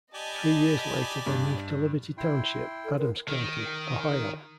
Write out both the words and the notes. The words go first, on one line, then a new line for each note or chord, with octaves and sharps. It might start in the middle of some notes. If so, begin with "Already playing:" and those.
Three years later, they moved to Liberty Township, Adams County, Ohio.
G4 D5 D#5 G#5 A5 B5
G2
E4 G5 C6
A4
G#3 B3 A#4
D#3